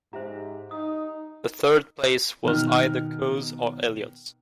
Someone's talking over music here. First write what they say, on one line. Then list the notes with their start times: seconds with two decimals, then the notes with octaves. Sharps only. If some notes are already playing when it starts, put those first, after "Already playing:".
The third place was either Coe's or Elliott's.
0.13 G#2 G4 C5 E5 A#5
0.71 D#4 D#6
2.44 B2 D#3 F6